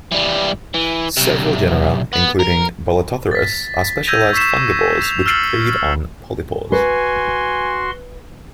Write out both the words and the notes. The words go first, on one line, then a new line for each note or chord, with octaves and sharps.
Several genera, including "Bolitotherus", are specialized fungivores which feed on polypores.
E3 G3
E3
B1 C3
B3
A#4
A6 B6
E6 G6 G#6 A#6 D#7 F7
C#6 E6 B6 C7 E7
F7
E6 F6 A6 C7 C#7 F#7
F#4 B4 G#5 C6